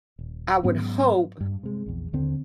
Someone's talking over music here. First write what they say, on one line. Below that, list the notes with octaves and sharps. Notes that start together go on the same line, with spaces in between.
I would hope
D#1
G#2 F#3 B3 C#4
G2
C3 G#3
A#1 E2
D#2 D3 C4